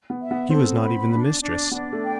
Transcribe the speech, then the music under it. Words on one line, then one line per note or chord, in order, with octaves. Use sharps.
She was not even the mistress.
B3
E5
B3
C4 A4
B5
D4
D4
B3 D4
A3
G5